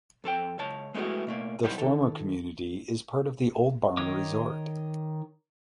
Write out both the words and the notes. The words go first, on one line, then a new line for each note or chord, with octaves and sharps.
The former community is part of the Old Barn Resort.
F2 A4 B4 G5
C#2 C#5 A5
G#3 A3 B3 D#4 E4 F#4
B2 A3 A#3
B1 G3 E4 C5 F#5 B5
D#3 A4
D#3 C#5 D#5 D6